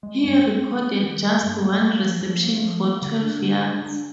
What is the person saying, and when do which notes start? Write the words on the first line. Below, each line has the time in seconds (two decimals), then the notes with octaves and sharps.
He recorded just one reception for twelve yards.
0.03 G#3
0.23 G2
0.43 C4
0.62 C4
0.82 C4
1.02 D#3
1.22 G#3
1.42 G2
1.62 A#3
1.82 A#3
2.02 F3
2.22 F3
2.43 A#3
2.62 F3
2.83 A#3
3.02 D3
3.22 D4
3.42 D3
3.63 D4
3.82 D4